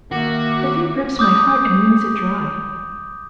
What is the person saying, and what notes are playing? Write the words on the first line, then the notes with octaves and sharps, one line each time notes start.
The fear grips my heart and wrings it dry.
D#3 A#3 F#4 A#4 E5 D6
D6 D#6 G6